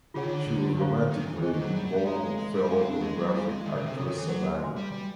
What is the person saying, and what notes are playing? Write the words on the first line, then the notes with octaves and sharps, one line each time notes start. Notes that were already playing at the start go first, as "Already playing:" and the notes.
She was romantically involved with fellow pornographic actress Savannah.
C#3 F4 G#4 C#5 F#5
D#3
D3
C5 F5 A#5 C#6
D#3
E3
E3 G#4 C5 D#5 G#5 C#6
D#3
F#3
G3
F#3
G3
G#3 F#4 A4 C#5 F5 A#5
G#3
G3
G#3 C5 F5 G#5 B5
C4
D4
G#3
F#3
G3 E4 G#4 C5 F5 G#5
G#3
D#3
C#3
C3
C#3 A4 C#5 F#5
D#3
E3
F#3
F#4 B4 E5 G#5 C6
G3
G3